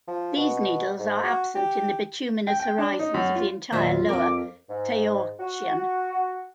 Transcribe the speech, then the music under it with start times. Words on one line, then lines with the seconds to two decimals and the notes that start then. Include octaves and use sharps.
These needles are absent in the bituminous horizons of the entire Lower Toarcian.
0.08 F3
0.36 B2
0.99 G#2
1.24 F#4
1.55 G4
2.47 G5
2.60 G5
2.78 D4
2.99 D#4
3.14 F#2
3.35 F4
3.72 E2 A#2 D#3 F#3 F4 C5 E5
4.09 F2 A4 A#4 F5 D6
4.68 G#2
5.38 F#4